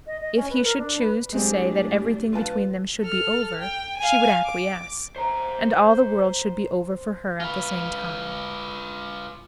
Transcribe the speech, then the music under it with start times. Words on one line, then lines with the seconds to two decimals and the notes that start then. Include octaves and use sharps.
If he should choose to say that everything between them should be over, she would acquiesce,--and all the world should be over for her at the same time.
0.07 D#5
0.21 D#5
0.36 C#4
0.50 B4
0.64 A#4
0.78 D4
0.98 B4
1.33 A2 F#3 G#3 C4 D4 G4
2.33 F4 B4 A5
3.01 A4 F6
3.59 G5
3.97 F5 G#5
4.45 D6
5.16 C5 A#5
7.40 F4 B4